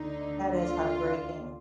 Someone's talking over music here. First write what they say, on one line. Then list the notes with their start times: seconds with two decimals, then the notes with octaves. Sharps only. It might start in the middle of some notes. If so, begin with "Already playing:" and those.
That is heartbreaking.
Already playing: D2 D3 D#4
0.53 F4